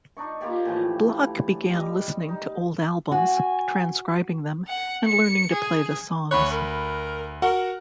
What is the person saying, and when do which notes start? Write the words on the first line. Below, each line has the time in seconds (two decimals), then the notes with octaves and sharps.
Block began listening to old albums, transcribing them, and learning to play the songs.
0.17 D4 D#4 C#6
0.41 A#3 F4 G4 D5
0.65 A2 E3 F3
1.13 E3
1.70 G3 D#5
2.29 D#4
3.12 F#4 G#5
4.68 F#5
5.05 C#7
5.52 G#4
6.31 D2 C#5 B5 F#6
6.51 A#4
7.42 F#4 A#4 F#5